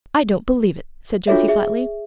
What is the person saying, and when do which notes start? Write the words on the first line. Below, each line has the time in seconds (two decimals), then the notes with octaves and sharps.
"I don't believe it," said Josie flatly.
1.28 D4 F4 F#4 A4 C#5 E5
1.48 G#4 E5